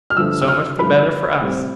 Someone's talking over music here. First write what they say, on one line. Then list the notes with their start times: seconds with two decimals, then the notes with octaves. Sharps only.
"So much the better for us."
0.10 F6
0.17 G2 D3 F3 A3 E6
0.42 E6
0.48 F6
0.79 G2 D3 F3 A3 B5
1.42 A2 G3 C4